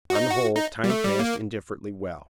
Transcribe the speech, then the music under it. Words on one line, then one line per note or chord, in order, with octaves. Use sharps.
On the whole, time passed indifferently well.
F#4
D#4
F#4
D#4
G3
A3
G3
A#3